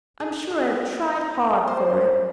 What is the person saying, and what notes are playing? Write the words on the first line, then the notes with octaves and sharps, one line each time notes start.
I'm sure I have tried hard for it.'
G#4
G#4
C5